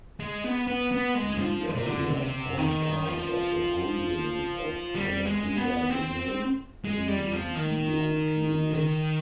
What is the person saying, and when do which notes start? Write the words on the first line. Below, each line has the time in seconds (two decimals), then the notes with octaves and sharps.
The area formed part of the holdings of Tanagura Domain, in the Edo period.
0.20 G#3
0.44 B3
0.67 B3
0.92 B3
1.15 G#3
1.38 F3
1.74 C3
1.86 D3
2.10 C3
2.58 D#3
3.05 F3
4.95 G3
5.26 G#3
5.57 B3
5.90 C4
6.85 G#3
7.08 G3
7.32 F3
7.55 D#3
8.74 D#3